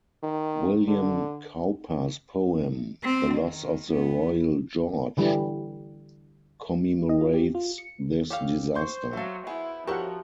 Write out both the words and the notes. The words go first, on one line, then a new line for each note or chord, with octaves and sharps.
William Cowper's poem, the "Loss of the Royal George", commemorates this disaster.
D#3
D3
C4
D#3
B3
D3 E3 G3
D#5
F4
G4
F4
C#7
G4 A4 C#5 F5
C5 C6 C#6 G6
F#3 A4 E5 F5 A5
B3 E4 G#4
F3 E4 F#4 G4 A4 A#4 C#5 F#5